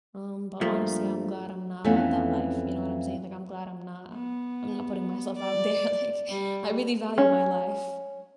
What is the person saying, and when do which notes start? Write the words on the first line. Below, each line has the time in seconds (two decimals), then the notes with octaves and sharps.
Um, but honestly, I'm glad I'm not about that life, you know what I'm saying? Like, I'm glad I'm not I'm not putting myself out there, like, I really value my life.
0.61 G2 F3 A3 A#3
1.84 F2 E3 A3 B3 C#4
4.13 B3
5.39 D5
6.29 G3
7.18 C#4